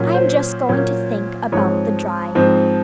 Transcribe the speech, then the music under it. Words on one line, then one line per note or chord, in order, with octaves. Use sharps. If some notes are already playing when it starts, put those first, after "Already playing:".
I'm just going to think about the drive.
Already playing: A#2 F#3 C#4
C5
A#2 F#3 C#4
G#2 F3 C4 D#4 C#5
G#2 F3 C4 D#4